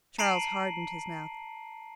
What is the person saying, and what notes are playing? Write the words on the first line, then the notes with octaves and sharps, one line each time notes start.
Charles hardened his mouth.
A5 A#5 C7 D7 D#7 F#7